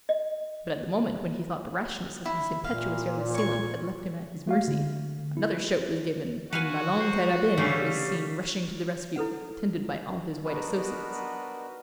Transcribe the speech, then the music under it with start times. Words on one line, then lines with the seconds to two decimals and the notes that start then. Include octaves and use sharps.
But at the moment when he thought the rashness of his impetuous young assailant had left him at his mercy, another shout was given, and La Longue Carabine was seen rushing to the rescue, attended by all his white associates.
0.09 D#5
2.26 E4
2.64 A#2 F5
3.34 C#5 C#6
4.47 A3 F#4 F5
4.68 D3
5.37 E4
6.53 F#4 B4 F5 F#5 G#5
6.97 F#3 C5
7.57 C#3 E3 G3 A3 C#4 A4 F5
9.16 E4 A4 B4 F#5
10.44 B3 D4 D#4 F#4 A#4 B4